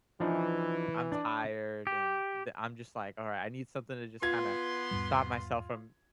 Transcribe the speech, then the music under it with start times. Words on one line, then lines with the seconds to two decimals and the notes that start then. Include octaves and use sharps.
I'm tired and the I'm just like, "Alright. I need something to just kinda stop myself from
0.20 E3 F3 D4 D#4
1.12 D4 D5
1.87 G4
4.22 B3 F4 C6 G#6
4.91 E2 G#2 G3